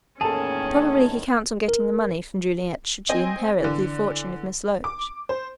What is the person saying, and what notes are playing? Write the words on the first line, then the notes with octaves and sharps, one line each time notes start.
Probably he counts on getting the money from Juliet, should she inherit the fortune of Miss Loach.
E2 A2 D#3 A#3 C#4 G#4 A4 A5
A#4
C4 D#5 G#5
D3 E3
D6
C5